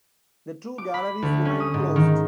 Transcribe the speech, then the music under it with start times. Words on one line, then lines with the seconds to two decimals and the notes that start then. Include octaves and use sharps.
The two galleries remain closed.
0.78 D6
0.94 B5
1.22 D2
1.45 C#4
1.60 D#6
1.74 G#2
1.96 D#3